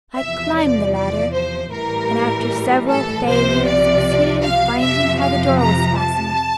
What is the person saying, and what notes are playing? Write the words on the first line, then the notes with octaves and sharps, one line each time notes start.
I climbed the ladder, and after several failures succeeded in finding how the door was fastened.
E2 C3 F3 E5
D5
D5
C5
A1 A2 E3 G3 A#4
A4
C2 C3 F3 C5
D5
F5
F2 C3 F3 E5
F5
A#5
A5